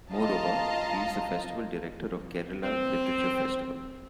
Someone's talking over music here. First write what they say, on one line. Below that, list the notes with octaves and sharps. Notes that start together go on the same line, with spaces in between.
Moreover, he is the festival director of Kerala Literature Festival.
F4 D#5 F5 A5 A#5
C4